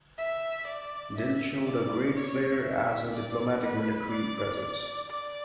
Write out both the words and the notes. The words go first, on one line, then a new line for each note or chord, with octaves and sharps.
Dill showed a great flair as a diplomatic military presence.
E5
D5
E5
D5
C#5
E5
D5
B4
D5
D5